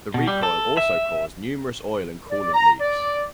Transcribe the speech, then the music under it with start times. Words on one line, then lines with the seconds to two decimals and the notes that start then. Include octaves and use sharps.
The recoil also caused numerous oil and coolant leaks.
0.14 B2
0.27 G3
0.43 A4
0.77 E5
2.31 D5
2.53 A#5
2.80 D5